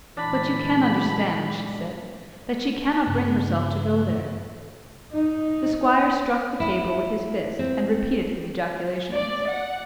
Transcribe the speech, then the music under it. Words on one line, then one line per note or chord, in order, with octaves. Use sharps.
"But you can understand," she said, "that she cannot bring herself to go there." The squire struck the table with his fist, and repeated his ejaculations.
A#2 D3 E3 G#3 D4 B5
G2 C#3
D#4
E4
C4
D5
F#5